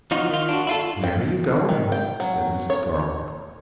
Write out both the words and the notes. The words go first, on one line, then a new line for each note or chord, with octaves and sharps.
'Where are you going?' said Mrs. Garland.
F3 D#4 F4 F#4
D#3 F4
D4 F4 F#4
E4 F4 A4
G5
D#3
G5
F#3
C#5